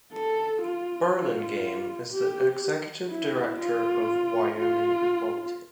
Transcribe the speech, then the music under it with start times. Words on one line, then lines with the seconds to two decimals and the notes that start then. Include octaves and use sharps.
Burlingame is the executive director of Wyoming Equality.
0.13 A4
0.62 F4
1.12 F4
2.11 G4
3.09 E4
3.59 F4
4.57 F4